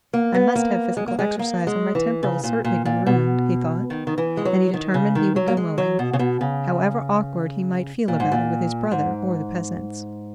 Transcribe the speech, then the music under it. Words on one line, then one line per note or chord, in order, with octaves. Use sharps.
"I must have physical exercise, or my temper'll certainly be ruined," he thought, and he determined he would go mowing, however awkward he might feel about it with his brother or the peasants.
A#3
B3
A#3
G#3
A#3
G#3
A#3
G#3
E3
C#3
A#2
A#2
A#2
B2
D#3
D#3
E3
G#3
F#3
D#3
C#3
D#3
F#3
A#3
G#3
F#3
B2
C#3
B2
C#3
A#2
G#2
A#2
G#2